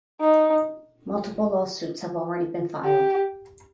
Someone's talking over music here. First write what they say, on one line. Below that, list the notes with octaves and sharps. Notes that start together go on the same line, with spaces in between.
Multiple lawsuits have already been filed.
D#4
G4